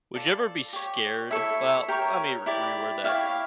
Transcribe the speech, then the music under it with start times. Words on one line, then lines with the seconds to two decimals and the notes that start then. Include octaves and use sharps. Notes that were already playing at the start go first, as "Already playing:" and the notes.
Would you ever be scared Well, let me re reword that.
0.15 F4 A4 D5
0.73 G4 C#5
1.30 E4 A4 C#5 E5
1.88 G4 A#4 C#5
2.46 E4 G4 D5
3.04 E4 G4 C#5 F5